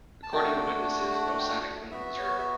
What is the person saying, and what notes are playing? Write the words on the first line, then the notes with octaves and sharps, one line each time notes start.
According to witnesses no sonic boom was heard.
A5
A3 D4 F#4 G5
F#5
G5
B3 F#4 E5
C#5
E5